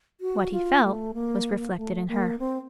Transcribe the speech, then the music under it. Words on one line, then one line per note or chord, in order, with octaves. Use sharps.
What he felt was reflected in her.
F#4
F4
A3
A#3
A3
A#3
C4